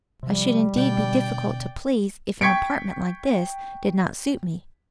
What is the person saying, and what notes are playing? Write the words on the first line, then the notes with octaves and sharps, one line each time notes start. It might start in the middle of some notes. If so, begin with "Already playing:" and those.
I should indeed be difficult to please if an apartment like this did not suit me.
C3 F3 G3
B2 D3 D5 G5
G5 C#6 G#6 B6 C#7 D7